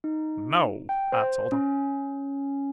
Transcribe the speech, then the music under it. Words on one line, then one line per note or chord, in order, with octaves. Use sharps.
No,' I told him.
D#4
G5
C5
C#4